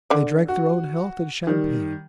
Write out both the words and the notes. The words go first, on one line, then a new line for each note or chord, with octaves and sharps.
They drank their own health in champagne.
D3 D5
F#4
D#3 G3